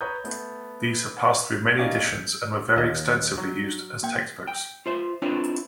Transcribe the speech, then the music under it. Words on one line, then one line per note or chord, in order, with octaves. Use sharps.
These have passed through many editions, and were very extensively used as textbooks.
B4 C#5 A#5 D#6 G6
A3 B3
C#4 D#4 G4 D5 F5
G6 C#7
D#2 D#5
F#3
A#3 G5
G5
F4 C5 E5
C4 D4 E4 F4 B4 C#5